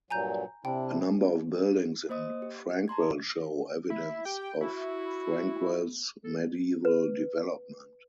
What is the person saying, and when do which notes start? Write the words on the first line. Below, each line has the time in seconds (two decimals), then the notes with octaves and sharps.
A number of buildings in Frankwell show evidence of Frankwell's medieval development.
0.10 G2 A#2 F#3 G#5 A#5 G6
0.65 C3 D4 E4 G5
2.09 A#3 C5 D#5 D#6
2.42 G4
2.88 A5 A#5 C6 G#6
3.90 E4 E5
4.25 G4 G5
4.61 E4 F#4
6.24 A4
6.85 B4